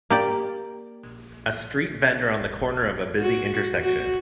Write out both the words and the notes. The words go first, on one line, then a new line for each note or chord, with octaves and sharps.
A street vendor on the corner of a busy intersection.
A#3 G4 D5
F#4
F#4